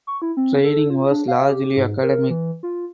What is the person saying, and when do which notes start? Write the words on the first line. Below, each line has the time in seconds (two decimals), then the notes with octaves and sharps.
Training was largely academic.
0.07 C#6
0.22 E4
0.37 C4
0.64 A4
0.90 F4
1.11 D4
1.28 F5
1.50 G4
1.77 G#2
2.03 A#4
2.30 E3
2.63 F4